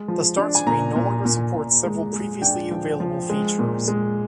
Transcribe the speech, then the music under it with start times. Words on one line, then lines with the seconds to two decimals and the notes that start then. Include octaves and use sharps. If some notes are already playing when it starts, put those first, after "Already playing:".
The Start screen no longer supports several previously available features.
Already playing: G#3
0.08 F3
0.37 D4
0.55 G#5
0.67 A#2 A#5
0.96 A#2
1.25 A#2
1.54 A#2
1.84 G#3
2.13 G#3
2.42 D4 G5
2.71 F3
3.00 F3
3.30 G#3
3.59 A#2
3.88 G#3